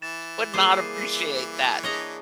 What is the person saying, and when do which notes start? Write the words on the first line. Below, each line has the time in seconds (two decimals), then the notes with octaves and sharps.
would not appreciate that,
0.02 E3 A6 E7
0.54 G3 A#3 G#4 C5 D6 C7 D#7
1.83 D4 G#4 C#5 D#5 F5 A#5